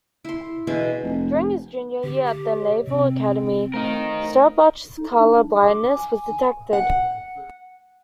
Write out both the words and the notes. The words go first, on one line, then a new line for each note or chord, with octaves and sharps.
During his junior year at the Naval Academy, Staubach's color-blindness was detected.
E4 C6
B2 E3 D4 G#4
F1
D3 G4
G4
C#5 D#5
C3 C4
A3 D#4 A#4 C5 F5
D#4
D4
D6
G#5
F#5